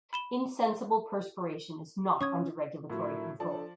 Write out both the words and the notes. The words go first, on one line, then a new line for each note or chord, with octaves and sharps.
Insensible perspiration is not under regulatory control.
B5 E7 G7
C#4 C#6 D#6 G#6
A2 D3 F3 F#3 E4 A#4
F3 D4 A4 D5 A5